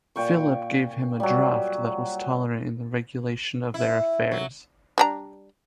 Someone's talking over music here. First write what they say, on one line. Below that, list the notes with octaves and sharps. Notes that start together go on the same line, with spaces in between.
Philip gave him a draft that was tolerant in the regulation of their affairs.
A#2 G5 C#6
F#3 G3
E4
F#3
G3 D4 A#5